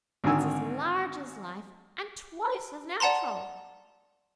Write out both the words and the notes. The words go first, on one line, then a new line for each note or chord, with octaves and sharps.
It's as large as life, and twice as natural!'
G#1 D3 D#3 A#4 G#5 E6
D5 F#5 A5 A#5 C6